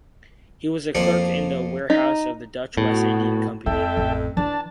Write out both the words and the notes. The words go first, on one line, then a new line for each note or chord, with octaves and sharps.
He was a clerk in the warehouse of the Dutch West India company.
F2 F3 A#3 A4 C5 D5
D#4
A2 B3 F#4
F2 G#3 E4 A4 E5 G5
A1
E3 D4 A5